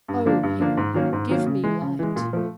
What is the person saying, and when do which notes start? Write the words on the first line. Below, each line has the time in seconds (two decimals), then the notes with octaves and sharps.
Oh, Heaven, give me light!
0.08 G2
0.25 D3 F3 A#3 D4
0.43 G2
0.60 D3 F3 A#3 D4
0.77 G#2
0.94 D#3 F#3 A#3 C#4
1.13 G#2
1.29 D#3 F#3 A#3 C#4
1.46 C#3
1.64 E3 G#3
1.82 C#3
1.99 E3 G#3
2.16 A#2
2.33 F3 A3